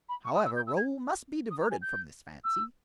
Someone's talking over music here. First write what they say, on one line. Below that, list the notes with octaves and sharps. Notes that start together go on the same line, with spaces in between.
However, Raoul must be diverted from this fancy.
B5
C#6
D#6
E6
G6
E6
G#6
D#6
A#5
G#5
G6
E6